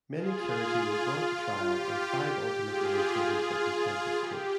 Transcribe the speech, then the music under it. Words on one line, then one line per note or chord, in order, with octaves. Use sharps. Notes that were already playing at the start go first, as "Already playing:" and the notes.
Many clergy were brought to trial and five ultimately imprisoned for contempt of court.
F4 G#4
F4
F4
G4
F4 G#4
F4 G#4
G4